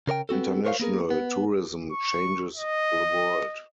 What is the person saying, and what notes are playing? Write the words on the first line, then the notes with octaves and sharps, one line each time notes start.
International Tourism changes the world.
C#3 A#4 C#5 G5
B3 C4 F#4 A4
A#4 C5 C#5 D#5 F5
A#3 B3 G#4 A#4
B3
C#6
D#5